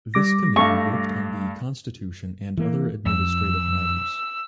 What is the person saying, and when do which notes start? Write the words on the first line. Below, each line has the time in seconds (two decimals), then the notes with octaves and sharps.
This committee worked on the constitution and other administrative matters.
0.14 G3 D6 A#6
0.56 G2 A3 F5 C#6
2.58 E3 A#3
3.06 F2 E6